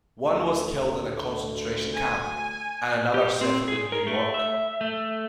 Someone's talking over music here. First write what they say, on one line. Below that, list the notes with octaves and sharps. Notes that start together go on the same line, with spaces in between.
One was killed in a concentration camp, and another settled in New York.
D2
G#5
G4
C4
G#4
A#4
A3
E5
A3